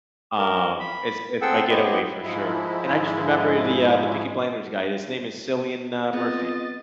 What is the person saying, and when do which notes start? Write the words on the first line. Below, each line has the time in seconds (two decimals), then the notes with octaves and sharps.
um, it's it's my getaway for sure, and I just remember the, uh, the Peaky Blinders guy, his name is Cillian uh Murphy.
0.38 A#4
0.80 B5
1.42 C4 G#4 A4 F#5 G5 E6
1.69 B3 E4 G4 C5 D#5
2.22 G#2 F3 G#3 E4
6.13 B3 C4 F4 G#4 D#5 A6